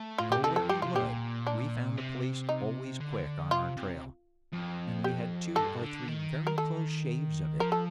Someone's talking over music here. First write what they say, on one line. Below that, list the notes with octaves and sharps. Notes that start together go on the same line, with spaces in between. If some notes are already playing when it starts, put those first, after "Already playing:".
Go where we would, we found the police always quick on our trail, and we had two or three very close shaves of it.
Already playing: A3
A2 F4
A#2 G4
C3 A4
F2 A4
G2 G4
C3 F4
A#2 G4
D4
C3
D#4
D3
C3 F4
C3
F2
G4
G2 A4
D3
D#3
A#4
A4
F3 A#4
A4